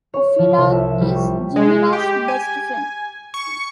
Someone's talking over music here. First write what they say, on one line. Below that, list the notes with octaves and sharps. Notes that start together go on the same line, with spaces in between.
Ofelia is Jimena's best friend.
C#5
F3
C2
E5
G3
C#6
G#3
G4
G#5
C#6